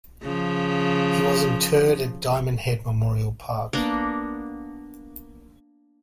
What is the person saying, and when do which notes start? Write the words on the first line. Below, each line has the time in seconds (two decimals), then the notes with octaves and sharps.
He was interred at Diamond Head Memorial Park.
0.22 C#3 F3
3.73 A#3 B3 D4